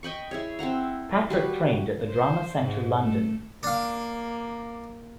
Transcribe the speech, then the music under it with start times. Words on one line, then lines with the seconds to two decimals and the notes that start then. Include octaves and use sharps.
Patrick trained at the Drama Centre London.
0.03 D#5 G5 B5 C#6
0.31 E4 G#4 C#5
0.59 C4 E4 F#5 A#5
1.30 G3 F#4 B4
2.10 C5
2.58 G#2
3.01 A3
3.63 A#3 D4 F5